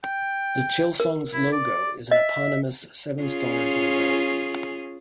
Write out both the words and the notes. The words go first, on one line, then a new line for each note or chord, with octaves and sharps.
The Chilsung's logo is an eponymous seven stars in a row.
G5
A#4
E4
D5
D#5 E5
C#4 F4 G#4